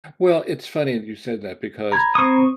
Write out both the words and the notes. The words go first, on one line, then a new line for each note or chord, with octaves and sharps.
Well, it's funny that you said that because,
A#5 B5 G#6
C4 C#6 D#6